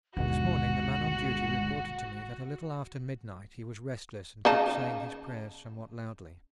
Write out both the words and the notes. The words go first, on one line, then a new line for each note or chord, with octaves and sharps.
This morning the man on duty reported to me that a little after midnight he was restless and kept saying his prayers somewhat loudly.
G1 D#2 B2 G#3 F#4 F#5
C#3 D#4 A5